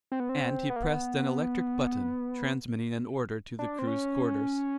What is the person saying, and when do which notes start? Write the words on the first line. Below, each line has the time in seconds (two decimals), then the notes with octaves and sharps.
And he pressed an electric button, transmitting an order to the crew's quarters.
0.12 C4
0.20 B3
0.29 C4
0.70 B3
0.76 A#3
0.83 B3
3.59 D4
3.79 C4
3.87 C#4